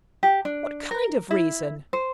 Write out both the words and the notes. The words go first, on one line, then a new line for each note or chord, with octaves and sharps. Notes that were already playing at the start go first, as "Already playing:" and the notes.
'What kind of reason?'
G4
D4
A#4
E4
C5